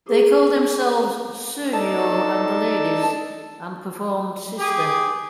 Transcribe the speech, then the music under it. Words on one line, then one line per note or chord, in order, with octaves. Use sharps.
They called themselves "Sergio and The Ladies" and performed Sister.
E4 G#4 C5 C#6 D6
D4 D#4 A4 A5
G4 G#4